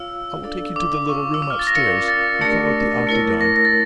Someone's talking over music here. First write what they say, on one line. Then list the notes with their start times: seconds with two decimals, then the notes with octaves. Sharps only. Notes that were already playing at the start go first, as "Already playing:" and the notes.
I will take you to the little room up-stairs--we call it the octagon.
Already playing: F4 C#5 F5 E6
0.43 D4 A4 D5 F5
0.76 D6
1.09 F4 C#5 F5 C#6
1.34 E6
1.42 D6
1.50 F6
1.59 A6
1.67 A#6
1.75 C#4 F4 A#4 D5 F5 C#7
2.08 A6
2.41 A3 D4 G4 A#4 D5
3.07 A3 E4 A#4 C#5
3.41 A#6
3.56 A#6
3.65 A6